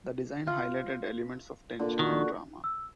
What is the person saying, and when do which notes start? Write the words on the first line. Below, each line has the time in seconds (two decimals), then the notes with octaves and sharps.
The design highlighted elements of tension and drama.
0.47 F4
1.79 A#2 D3
1.99 D#3 F#4
2.64 E6